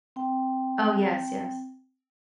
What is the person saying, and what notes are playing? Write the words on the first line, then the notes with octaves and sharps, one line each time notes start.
Oh, yes, yes.
C4 G5